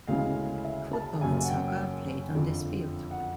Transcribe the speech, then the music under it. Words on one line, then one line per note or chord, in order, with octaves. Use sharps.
Football and soccer are played on this field.
D2 C#3 E3 G#3 F5
E5
A5
F#1 F#2 C#3 G#5
F#5
G5
F2 D3 F3
F#5